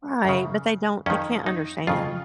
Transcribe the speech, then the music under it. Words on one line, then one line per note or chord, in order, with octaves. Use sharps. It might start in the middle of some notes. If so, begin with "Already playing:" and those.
Right, but they don't they can't understand.
F#2 C#3
F2 D#3 C#4
D#4
F2 C#3 F4